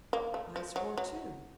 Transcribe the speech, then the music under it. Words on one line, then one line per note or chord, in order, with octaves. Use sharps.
I swore too.
A#3
A3
F3
F#3
F#3